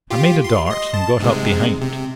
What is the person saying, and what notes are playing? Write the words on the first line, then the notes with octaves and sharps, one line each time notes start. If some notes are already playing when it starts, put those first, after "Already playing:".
I made a dart and got up behind.
F4 G4
C6
D#5 C6
A5
G#2 C3 G#3
C3